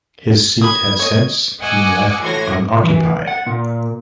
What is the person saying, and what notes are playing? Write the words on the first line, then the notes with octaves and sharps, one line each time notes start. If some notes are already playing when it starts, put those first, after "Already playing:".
His seat had since been left unoccupied.
B5 D#6 G#6
C#5 D#5
D#5 F#5 G#5 C#6 D6 E6
A2 E3 F#4 C6 G#6 A#6
E3
F#5
A#2